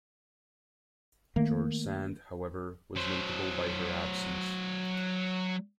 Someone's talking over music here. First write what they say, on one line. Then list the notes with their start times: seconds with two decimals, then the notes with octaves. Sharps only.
George Sand, however, was notable by her absence.
1.36 D#3 A3 A#3
2.96 F#3 C5